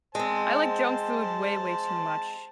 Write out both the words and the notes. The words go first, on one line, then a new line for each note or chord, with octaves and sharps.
I like junk food way, way too much.
G#3 C4 C5 A5